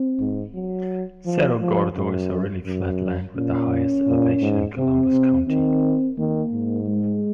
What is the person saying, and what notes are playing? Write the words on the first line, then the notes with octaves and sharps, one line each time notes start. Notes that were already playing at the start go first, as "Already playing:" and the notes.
Cerro Gordo is a really flat land, with the highest elevation in Columbus county.
Already playing: C4
G#2
F#3
F3
F3
F#2
F#2
A#2 C#4
A#2
G#2
C3 C4
C3
D#3 C4
D#3 A#3
G#2
G#3